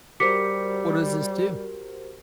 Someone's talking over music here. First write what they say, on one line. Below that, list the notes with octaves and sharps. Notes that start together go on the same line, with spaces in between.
What does this do?
G3 F#4 G4 A#4 C5 D6 B6 C#7